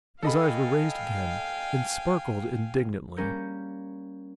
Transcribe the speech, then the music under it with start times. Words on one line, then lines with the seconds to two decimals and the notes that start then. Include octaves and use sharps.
His eyes were raised again, and sparkled indignantly.
0.23 A4 D#5 F5 G5 G#5 B5
3.17 G3 A#3 C#4 A#4 G6 C#7